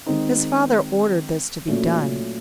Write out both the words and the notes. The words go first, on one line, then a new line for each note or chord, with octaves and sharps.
His father ordered this to be done.
D#3 G#3 C4 D#4
A#2 F#3 A3 C#4